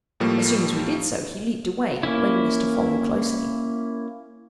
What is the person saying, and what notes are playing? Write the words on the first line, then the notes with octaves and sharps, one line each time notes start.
As soon as we did so, he leaped away, waving us to follow closely.
A2 F3 G3 A3 A#3
A#3 C#4 E4